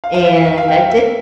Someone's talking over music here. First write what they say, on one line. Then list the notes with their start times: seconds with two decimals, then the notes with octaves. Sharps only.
And I did
0.04 F5
0.14 F5
0.25 E5
0.36 E5
0.46 E5
0.58 F5
0.68 G5
0.78 F5
0.90 E5